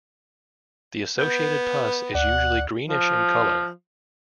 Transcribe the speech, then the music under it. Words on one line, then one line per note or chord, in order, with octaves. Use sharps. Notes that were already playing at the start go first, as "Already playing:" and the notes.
The associated pus is usually greenish in color.
B3 G6
D2 D5 F#5
F3